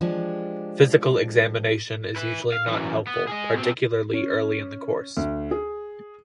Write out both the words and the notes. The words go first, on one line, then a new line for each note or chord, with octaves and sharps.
Physical examination is usually not helpful, particularly early in the course.
F3 G#3 D4 G4
E4 B4
F5
F#2 E3
B3
G#4 D#5
B2 C4
C#4
D2
G#4